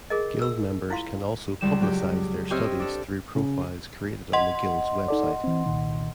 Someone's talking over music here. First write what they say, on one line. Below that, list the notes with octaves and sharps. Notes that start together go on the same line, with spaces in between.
Guild members can also publicise their studies through profiles created on the Guild's website.
G#4 A#4 D#5
A#4 E6
E4 F4 F5 C6
C#2 G3 E7
F#3 G4
C4 G4 C#5 D#5 E6 F6
D4 A4
C#3
D#5 F#5 C6
D#4 A4 D5
E3 C4
C2 A#2 D#3